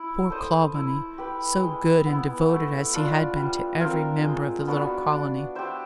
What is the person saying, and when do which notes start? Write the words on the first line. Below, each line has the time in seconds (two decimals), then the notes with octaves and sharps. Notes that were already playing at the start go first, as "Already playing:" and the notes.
Poor Clawbonny, so good and devoted as he had been to every member of the little colony!
Already playing: E4
0.30 A4 C5 D#5
0.74 E4
1.18 G4 B4
1.62 G#3
2.06 B3 E4
2.48 A3
2.93 D4 F4
3.36 G3
3.80 C4 F4 A#4
4.23 G#3
4.67 B3 D4 F#4
5.12 D4
5.55 G4 C5 E5